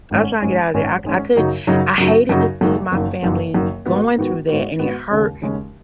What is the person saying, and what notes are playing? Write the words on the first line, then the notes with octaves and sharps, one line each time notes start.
I was trying to get outta there. I c I couldn't I hated to see my family going through that, and it hurt
G#1 G#2 G#3 C#4
G#1 G#2 G#3 C#4
G#1 G#2 G#3 C#4
G#1 G#2 G#3 C#4
F#2 C#3 F#3 D#4 F#4
F#2 C#3 F#3 D#4 F#4
F#2 C#3 F#3 D#4 F#4
F#2 C#3 F#3 D#4 F#4
F#1 F#2 D#3
F#1 F#2 D#3
F#1 F#2 D#3
F#1 F#2 D#3
G#2 D#3 B3 F#4
G#2 D#3 B3 F#4
G#2 D#3 B3 F#4
G#2 D#3 B3 F#4
D#2 C#3 G#3 C#4
D#2 C#3 G#3 C#4